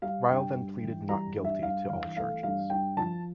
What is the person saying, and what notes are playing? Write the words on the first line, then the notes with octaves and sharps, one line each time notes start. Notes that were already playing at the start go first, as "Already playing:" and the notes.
Riel then pleaded not guilty to all charges.
G3 F5
G2 G5
G2
E3
G3 A#5
G2
E5
G2 F5
E3 F5
A3 F5
G2 F5
G2 G5
F3 A5